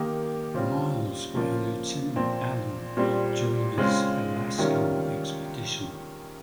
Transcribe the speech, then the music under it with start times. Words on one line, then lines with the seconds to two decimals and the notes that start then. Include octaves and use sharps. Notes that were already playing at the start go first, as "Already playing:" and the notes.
Miles by a Lieutenant Allen during his Alaska expedition.
Already playing: D#3 A#3 D#4 G4
0.54 C#3 G3 C4 F4
1.34 C#3 F3 A#3 F4
2.16 A#2 F3 C4
2.97 A#2 G3 C4
3.77 C#3 G#3 C4 F4
4.58 C3 D#3 G3 C#4 F4